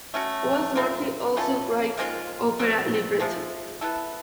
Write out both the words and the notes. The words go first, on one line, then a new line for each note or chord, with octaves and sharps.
Goldsworthy also writes opera libretti.
A3 C#4 F#4
A3 C4 F4 A#4
A3 C#4 F4 A4
D#3 G#3 C4 F4
B2 G3 C4
C3 F3 G#3
B3 E4 A4